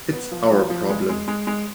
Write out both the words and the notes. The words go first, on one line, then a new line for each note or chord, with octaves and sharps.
It's our problem.
B3
F3
F3
F3
G#3
G#3
G#3
G#3